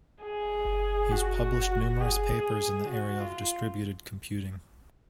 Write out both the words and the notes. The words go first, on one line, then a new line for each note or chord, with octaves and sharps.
He has published numerous papers in the area of distributed computing.
G#4
F#4
F#4
F#4
G#4
F#4
F4